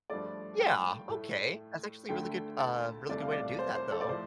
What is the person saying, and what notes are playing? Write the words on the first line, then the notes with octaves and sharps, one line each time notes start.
Yeah, Okay, that's actually a really good uh, really good way to do that though.
G2 F3 A3 D5
G5
A2 A3
D2 D3 A3 G5
A5
C2 C3 A3 D5
F5
D5
C5
C5
A4
D5
A2 F3 A3 C5